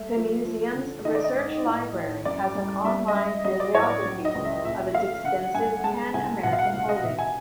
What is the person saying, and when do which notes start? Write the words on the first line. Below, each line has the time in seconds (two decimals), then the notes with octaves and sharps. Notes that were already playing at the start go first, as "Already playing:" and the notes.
The Museum's Research Library has an online bibliography of its extensive Pan-American holdings.
Already playing: G3 A3 E5
0.16 F3
0.45 F3
0.75 D3
1.05 D#3 D#5
1.15 D5
1.24 D#5
1.35 G#2
1.65 A2
1.95 A2
2.25 F#2 D5
2.55 G3
2.85 G3 E5
3.08 D#5
3.15 G3 E5
3.45 F#3 D#5
3.60 D5
3.75 A2 C#5
3.90 D5
4.05 F#3
4.25 D#5
4.35 C#2
4.45 E5
4.64 A#2 E5
4.94 A3 F5
5.24 D3 F#5
5.54 G2 G#5
5.84 G#3 A5
6.14 C2 G#5
6.43 B2 F#5
6.53 F5
6.59 F#5
6.73 C2
6.89 D#5
7.03 B2 E5
7.19 G#5